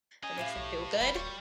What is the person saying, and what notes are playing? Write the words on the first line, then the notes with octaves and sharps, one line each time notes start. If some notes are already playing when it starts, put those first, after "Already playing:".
that makes them feel good.
C#4 A#4 D#5 G#5
A2 G4 E5 F5
B1 C#5
E1 A2 F#3 G3 B4
D1 A#3 F#4 C5 C#5